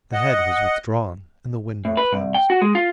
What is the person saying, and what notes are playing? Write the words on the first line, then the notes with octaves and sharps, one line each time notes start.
The head was withdrawn and the window closed.
D#5 F#5
A2
B4
C2
G5
F#4
G#3
F4